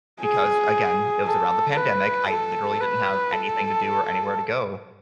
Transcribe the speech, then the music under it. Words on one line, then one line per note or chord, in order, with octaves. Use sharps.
because, again, it was around the pandemic, I literally didn't have anything to do or anywhere to go.
G#4
A4
B4
A4
B4
A4